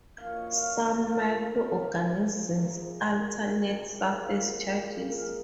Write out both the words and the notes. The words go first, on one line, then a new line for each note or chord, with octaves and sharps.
Some microorganisms alter net surface charges.
F#2 F3 A#3 F5
C#5
D#5
F5
F5
D#5
C3 D#3 A#3 D#5
F4
A#2 F#3 A#3 F4
D#4
C#4
D#4
F#2 F3 A#3 D#4
C#4
C3 F3 G#3
D#4
F#2 D#3 F#3
C#4
C3 D#3 G#3
D#4
F4
C#3 F#3 A#3 F#4
G#4
A#2 F3 G#3
A#4
G#4